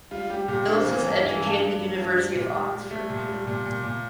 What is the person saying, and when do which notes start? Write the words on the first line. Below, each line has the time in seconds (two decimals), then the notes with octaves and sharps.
Phillips was educated at the University of Oxford.
0.11 G3 F4
0.30 G3 G4
0.48 A#2 G4
0.67 G3 D4
0.75 C4
0.84 E3 A#3
0.92 C4
1.04 G2 A#3
1.23 E3
1.41 G2
1.60 G2
1.79 G3
1.97 G2
2.17 G3
2.35 A#2
2.53 G3
2.72 G3
2.91 G3 A3
3.10 A#2
3.28 G3
3.47 A#2
3.65 A#2
3.83 A#2